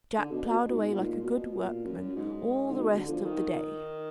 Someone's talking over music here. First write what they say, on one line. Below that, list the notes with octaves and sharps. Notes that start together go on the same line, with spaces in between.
Jack, ploughed away like a good workman all the rest of the day.
D3
B2
B2
G#2
A#2
B2
A#2
F#2
G#2
D3
B2
D3
F3
D#3